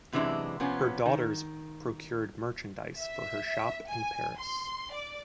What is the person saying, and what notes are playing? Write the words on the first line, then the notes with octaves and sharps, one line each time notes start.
Her daughters procured merchandise for her shop in Paris.
F#2 C3 E3 G#3 D4
C3 F3 B3 C#4
D#3
E5
G#5
C6
D5